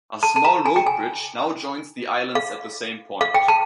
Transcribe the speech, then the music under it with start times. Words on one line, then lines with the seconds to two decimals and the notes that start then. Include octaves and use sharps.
A small road-bridge now joins the islands at the same point.
0.23 A5
0.36 A5
0.45 A#5
0.66 G#5
0.76 G5
0.87 G#5
2.35 F5
3.21 F5
3.34 G5
3.48 A5